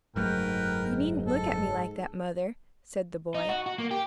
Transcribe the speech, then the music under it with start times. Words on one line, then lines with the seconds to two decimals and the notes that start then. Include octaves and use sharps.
"You needn't look at me like that, mother," said the boy.
0.16 F#1 G#2 F#3 A3 A#4 B4 G5
1.27 A4
3.35 D#4
3.49 F#4
3.66 F#4
3.78 A#3
3.91 G4